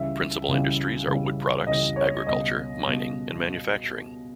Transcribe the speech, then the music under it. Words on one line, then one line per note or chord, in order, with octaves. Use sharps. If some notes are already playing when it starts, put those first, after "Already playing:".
Principal industries are wood products, agriculture, mining, and manufacturing.
Already playing: C#2 C#3 E3 G3 E5
C#2 C#3 E3 G3
C#2 C#3 E3 G3
C#2 C#3 E3 G3 D#5
C#5
C#2 B2 G3 D#5
C#2 B2 G3